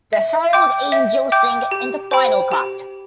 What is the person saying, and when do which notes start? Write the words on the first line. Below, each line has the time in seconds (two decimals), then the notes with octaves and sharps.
The Herald Angels Sing in the final cut.
0.13 E5
0.53 G5 D6 G6
0.92 E5
1.32 G5 D6 G6
1.71 G4
2.11 C5 G5 B5
2.52 G4